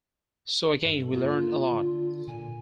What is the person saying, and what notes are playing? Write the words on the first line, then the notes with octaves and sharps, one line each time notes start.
So again, we learned a lot.
G2 A4
A#3 F4
D3
A#2 G#5